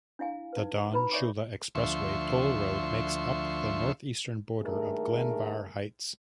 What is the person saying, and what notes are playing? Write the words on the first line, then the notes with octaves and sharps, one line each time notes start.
The Don Shula Expressway Toll Road makes up the northeastern border of Glenvar Heights.
D4 E4 F5 G#5
D#4 B4
D#4 F#4 B4 A#5 B5
C#5 D5 E5 G#5 C#6 D6
D2 F3 E5 C6 C#6
G2 D#3 A3 A#3 G#4 A#4